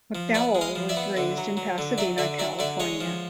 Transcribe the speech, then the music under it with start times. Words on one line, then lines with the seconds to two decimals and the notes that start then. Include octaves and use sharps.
McDowell was raised in Pasadena, California.
0.15 F3
0.34 B3 D5 E5
0.55 G#3
0.61 D#5 F5
0.75 F3
0.89 D5 E5
0.96 B3
1.17 D3
1.37 F#3
1.57 F#3
1.78 D3
1.98 F#3 D5 E5
2.18 D3 D5 E5
2.39 F#3 D5 E5
2.59 D3 D5 E5
2.80 G#3 C#5 D#5
3.01 F3